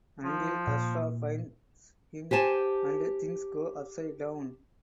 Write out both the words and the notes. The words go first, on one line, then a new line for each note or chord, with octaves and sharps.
Until Ashraf finds him and things go upside down.
F3
A#2
G4 C5 G#5 A5